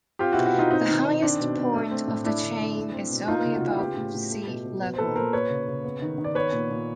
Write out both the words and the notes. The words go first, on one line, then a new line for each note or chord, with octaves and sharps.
The highest point of the chain is only above sea level.
C4 F4 G4
B2 E4 F#4
E4 F#4
B2 D#4 F4
C4 D#4
D#3
D#3
C4 D4
B2
B2
A3
C4
A2
A3 D4 E4
D3
D3
A3
C4
B2
A#3 D#4 F4
C#3
F#4
C#3 F4
E4 F#4
B3 F4 G4
A2
A2
A3
B2
B2
B3
C5
A#2 A4 B4
A#2 A#4 C5
A#3 B4 C#5
C#3
C#3
B3
D#3
D#3
D5
B3 B4 C#5
A#2
A#2